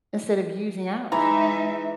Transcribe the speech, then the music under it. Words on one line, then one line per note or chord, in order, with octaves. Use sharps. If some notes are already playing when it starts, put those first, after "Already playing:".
instead of using ours,
E3 G#3 D#4 E5 A#5